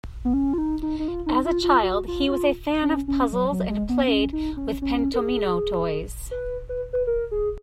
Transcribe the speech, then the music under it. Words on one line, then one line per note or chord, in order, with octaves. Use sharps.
As a child, he was a fan of puzzles and played with pentomino toys.
B3
C#4
F4
D#4
D#4
D#4
F4
D#4
F4
F4
F#4
F4
F#4
F4
C#4
C#4
F#3
F#3
G#3
B3
C#4
D#4
C#4
C#4
A#4
G#4
B4
B4
B4
A#4
G#4